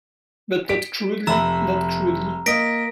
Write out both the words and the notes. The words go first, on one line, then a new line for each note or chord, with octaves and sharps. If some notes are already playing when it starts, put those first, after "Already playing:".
But not crudely, not crudely.
B6 D7
F1 E5 A#5 B5 E6
A#3 D#5 A#6 B6 D7